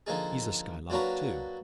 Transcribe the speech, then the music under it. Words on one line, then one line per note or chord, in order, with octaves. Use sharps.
He's a Skylark too.
D3 F3 A#3 D#4 G#4
F#3 A#3 D4 F#4 B4